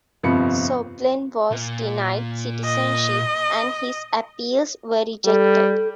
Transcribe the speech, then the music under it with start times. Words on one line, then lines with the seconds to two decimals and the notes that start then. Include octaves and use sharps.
Soblen was denied citizenship, and his appeals were rejected.
0.23 G1 F2 C3 F3 B5 C#7
1.51 A#2
2.64 D#5
5.25 G3 A4